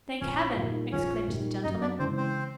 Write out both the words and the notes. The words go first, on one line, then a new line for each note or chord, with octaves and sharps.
'Thank Heaven!' exclaimed the gentleman.
A#1 C#4 C#5
A#2 G3 A#3 D#4
A#1 C#4 C#5
A#2 G3 A#3 D#4
F#2 D#4 D#5
D4 D5
C#3 E3 G#3 C4 C5
C4 C5